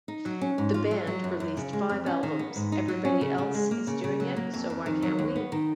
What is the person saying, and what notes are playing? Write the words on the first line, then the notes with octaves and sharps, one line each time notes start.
The band released five albums: Everybody Else Is Doing It, So Why Can't We?
D#4
F#3
C#4
G#2
F4
F#3
F#3
F#2
F#2
C#3
G#3
F2
C#4
D#3
B3
G#2
D#4
F#3
C#4
C#3
C#3
G#3
A#3
C#3
C#3
F#3
A#3
F2
F2
D#3
F#3
D#2
B3
D#3